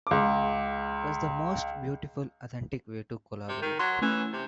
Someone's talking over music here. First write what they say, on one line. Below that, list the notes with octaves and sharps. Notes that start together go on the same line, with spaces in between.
It was the most beautiful, authentic way to collaborate.
C#2 D6
C3
D#3
F#3 C6
E3 A3 C#4
C3